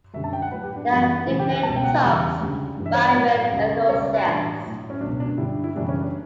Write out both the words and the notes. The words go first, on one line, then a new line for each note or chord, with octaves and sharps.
They are nicknamed Tugs by rail enthusiasts.
F#2 D3 G3 E5
A5
G5
F#5
A2 F#3 B4
G4
D4
F#2 E3 G3
F#4
D2 C#3 E3 G3 E4
G4
B4
C#2 B2 G3 A5
G5
F#5
G5
E2 C#3 G3 F#5
D2 C#3 G3
G2 E3 G3
E5
C#5
D5
A2 F#3
C#2 C#3 G3
C#2 C#3 G3 C#5
D5
B4
A2 E3 G3 D4
A2 F#3
C#4
C#2 B2 F#3 D4
D4
G2 D3 G3 E4
E4
F#2 C#3 E3 G3 D4
C#4
D4